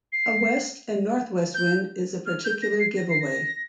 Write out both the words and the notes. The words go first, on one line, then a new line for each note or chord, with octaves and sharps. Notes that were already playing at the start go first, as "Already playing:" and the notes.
A west and northwest wind is a particular giveaway.
C7
G6
F6
G6
A#6
C7
A#6
C7
A#6